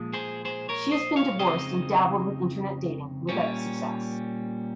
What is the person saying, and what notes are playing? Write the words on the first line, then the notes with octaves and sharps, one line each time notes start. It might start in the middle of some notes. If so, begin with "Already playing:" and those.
She has been divorced and dabbled with internet dating without success.
Already playing: A#2 F3 G#3
G#4 C5
G#4 C5
A#4 C#5
C5 D#5
C#5 F5
F2 C#3 G#3 C4 D#4 C5 D#5
A#2 G3 C#4